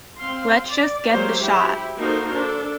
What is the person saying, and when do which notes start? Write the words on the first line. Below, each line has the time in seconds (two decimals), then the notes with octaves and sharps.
Lets just get the shot.
0.19 C4 F5 C6
0.68 D5
1.09 F#3 G#3 A#3 G4 C5 C#5
1.42 E4 F#4 G4 C5
1.97 A#3 D#4 F#4 A4 A#4 C5
2.34 D4 A4